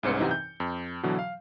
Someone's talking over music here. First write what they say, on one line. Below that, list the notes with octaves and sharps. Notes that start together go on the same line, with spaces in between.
What was that?
C2 G#2 C#4 C#7
F#2 C3 E3 D#4
G6
F2
B2 D3 E3 F#3
F5